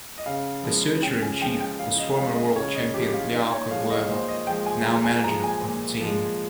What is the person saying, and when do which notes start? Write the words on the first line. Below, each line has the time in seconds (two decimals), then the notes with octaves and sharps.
The searcher-in-chief was former world champion Learco Guerra, now manager of the team.
0.18 D#5
0.26 C#3 F5
0.64 F3 G#3
1.02 C#3 G5
1.22 G#5
1.41 F3 G#3 G5
1.60 G5
1.79 C#3 F5
1.98 D#5
2.18 F3 G#3 F5
2.36 D#5
2.56 C#3 C#5
2.75 D#5
2.94 F3 G#3 G4
3.08 G4
3.14 F4
3.32 A#2 D#4
3.52 C#5
3.70 F3 G#3 F5
3.90 D#5
4.09 A#2 C5
4.29 D#5
4.47 F3 G#3 G5
4.66 G#5
4.85 A#2 A#5
5.04 G#5
5.23 G#3 A#5
5.28 F3
5.43 G#5
5.63 A#2
6.01 F3 G#3